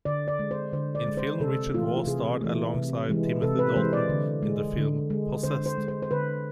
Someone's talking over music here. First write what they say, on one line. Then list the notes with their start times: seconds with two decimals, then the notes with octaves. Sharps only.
In film Richard Waugh starred alongside Timothy Dalton in the film "Possessed".
0.05 D3 D5
0.28 D5
0.39 G#3
0.51 C5
0.73 D3 C5
0.95 D5
1.06 G#3
1.17 C5
1.40 C3 A4
1.74 E3 A3 F4
1.97 F4
2.07 C3 G#4
2.41 E3 A3
2.74 C3
3.09 E3 G#3
3.42 C3 A4
3.59 B4
3.76 E3 G#3 C5
3.93 D5
4.09 D3
4.43 G#3
4.77 D3
5.10 G#3
5.43 D3 C5
5.66 C5
5.78 G#3
5.88 C5
6.02 C5
6.11 D3 B4